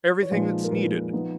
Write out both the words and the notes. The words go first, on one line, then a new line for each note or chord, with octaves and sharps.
Everything that's needed.
C#5
A#2 F3 G#3 D#4 B4
A#4
A#2 F3 G#3 D#4 B4
F3 B3 D#4